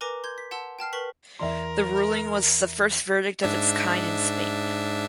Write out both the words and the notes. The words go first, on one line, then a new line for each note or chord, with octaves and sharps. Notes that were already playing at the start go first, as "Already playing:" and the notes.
The ruling was the first verdict of its kind in Spain.
A#4 B4 G#5 A#5 D6 A#6
C6 G6 G#6
B6
F#5 A5 C6 E6
G5 A5 F6 C7
A#4 B4 C#6 B6 F#7
E2 E3 A#4 D5 E5 C6
G#2 D4 E5